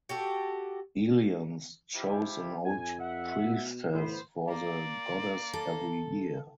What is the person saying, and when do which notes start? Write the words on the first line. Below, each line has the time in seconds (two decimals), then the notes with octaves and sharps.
Eleans chose an old priestess for the goddess every year.
0.09 F#4 G4 A4
1.94 F3 E4 G4
2.64 F2 G#5
3.00 E5 F#5
3.43 B2
3.93 A2 B3 B4 C5
4.48 A#3 D5
5.53 A4